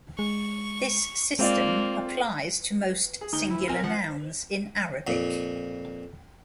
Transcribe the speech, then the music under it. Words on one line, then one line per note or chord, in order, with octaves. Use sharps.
This system applies to most singular nouns in Arabic.
G#3 C#6
G#3 A#3 C4 F4 D5
G#4
D2 D#4 G7
E4
B1 C4 A#4 G#5
F3 F#5
F2 A#2